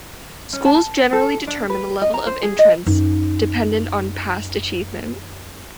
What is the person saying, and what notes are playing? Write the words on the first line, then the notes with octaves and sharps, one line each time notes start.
Schools generally determine the level of entrance dependent on past achievement.
C#4
A5
A4
D4
B4
D#5
A#5
C5
G#4
D#5
F#2 D#4